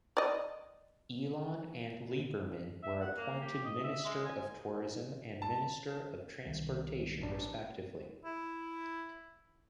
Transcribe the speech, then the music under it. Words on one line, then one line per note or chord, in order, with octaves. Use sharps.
Elon and Lieberman were appointed Minister of Tourism and Minister of Transportation respectively.
D5 D#5
E5
F#5
A#3
G4
D#5
E5
G#3
G#5
A5
C2 D#3
A1 D4
E4